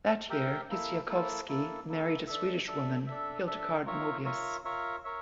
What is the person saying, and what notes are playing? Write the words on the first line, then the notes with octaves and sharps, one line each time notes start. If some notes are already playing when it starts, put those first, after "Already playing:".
That year, Kistiakowsky married a Swedish woman, Hildegard Moebius.
G4 A#4 E5 G5
A#3 E4 A4
A#3 E4 A4
A#3 E4 A4
A#3 E4 A4
D4 A4 E5
D4 A4 E5
D4 A4 E5
D4 A4 E5
F4 A#4 C#5 E5
F4 A#4 C#5 E5
F4 A#4 C#5 E5
A#4 C#5 E5